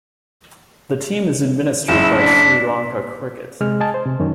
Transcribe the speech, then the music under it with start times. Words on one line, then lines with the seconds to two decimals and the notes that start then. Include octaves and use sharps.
The team is administered by Sri Lanka Cricket.
1.88 F#1 E4 E7
2.18 D4 B6
3.61 C3 G#3 F6
3.80 D#5 G#5 A5
3.94 C5
4.05 C3
4.20 F#2 D#3 C#4